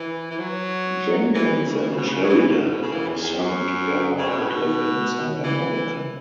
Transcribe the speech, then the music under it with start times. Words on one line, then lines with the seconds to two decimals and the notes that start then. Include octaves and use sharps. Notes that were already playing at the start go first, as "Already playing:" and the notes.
Jenkins and Sheridan have a son together, and live in Santa Monica.
Already playing: E3
0.31 E3
0.39 F#3
1.35 E3
1.66 C#3
1.81 E3
1.90 C#3
1.97 B2
2.05 C#3
2.24 F#3
2.30 E3
2.49 F#2
2.60 A2
2.71 B2
2.82 C#3
2.92 E3
3.08 E2
3.23 E2
3.40 F#2
4.18 C#3
4.29 B2
4.39 A2
4.49 B2
5.44 E3